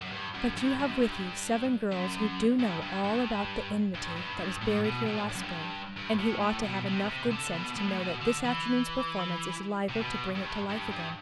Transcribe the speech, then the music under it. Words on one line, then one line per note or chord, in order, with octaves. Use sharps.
But you have with you seven girls who do know all about the enmity that was buried here last spring, and who ought to have enough good sense to know that this afternoon's performance is liable to bring it to life again.
F#2
G2
F#2
G2
F#2
G2
F#2
G2
G2
G2
G2
G2
G2
A2
B2
A2
G2
F#2
G2
G2
A2
A2
B2
C3
B2
C3
D3
B2
A2
A2
B2
D3
E3
C3
B2
G2
G2
G2